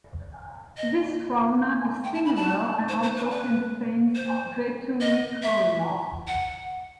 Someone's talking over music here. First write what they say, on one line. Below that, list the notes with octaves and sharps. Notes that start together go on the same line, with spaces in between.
This fauna is similar and also contains vetulicolians.
D#5
G5
A5
B5
A5
C5
C5
B4
B4
C5
D#5
E5
F#5